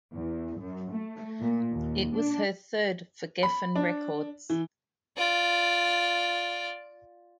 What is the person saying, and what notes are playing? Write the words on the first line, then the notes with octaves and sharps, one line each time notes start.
It was her third for Geffen Records.
E2
F#2
A3
A#2
D#2
D4
B5
D4
E3
F4 D5